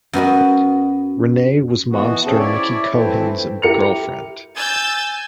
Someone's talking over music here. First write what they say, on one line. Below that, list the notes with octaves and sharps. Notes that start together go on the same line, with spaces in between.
Renay was mobster Mickey Cohen's girlfriend.
F#2 B3 F#4 D#5
B2 E3 B3 F#4
F#2 C#3 C4 C#4 G#4 A4
E4 C#5 D5
E3 A3 C4 E4
E4 G4 A#4 C#7 F7
G#5 E6 G6 A6